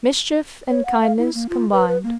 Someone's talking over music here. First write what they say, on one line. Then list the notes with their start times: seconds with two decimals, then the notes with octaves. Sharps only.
Mischief and kindness combined.
0.69 C#5
0.86 F#5
1.01 F5
1.18 E4
1.35 A#3
1.49 F4
1.72 B4
1.88 B4
2.04 A#3